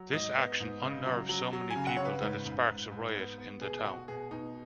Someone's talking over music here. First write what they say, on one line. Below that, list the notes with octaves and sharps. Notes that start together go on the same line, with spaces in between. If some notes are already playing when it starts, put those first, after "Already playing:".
This action unnerves so many people that it sparks a riot in the town.
Already playing: F#3
G#2 D#5
B3
G#2
C#3
F#3
F#3
F#3
G#5
C#3
F#5
C#3 C#5
B4
G#2 B4
G#2
G#2
G#2
B3
B3
B2 G#4
B2 F#4
B2 G#4
B2 D#4